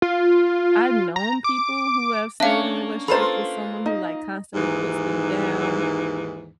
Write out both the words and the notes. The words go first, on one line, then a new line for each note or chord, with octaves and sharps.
I've known people who have stayed in relationships with someone who, like, constantly puts them down
F4
A#5
D6
A#3 C#4 D4 C#5 E5 F5
A#3 F4 A4 B4 C5 A#5 B5
D#4 D#5
D#2 G#2 E3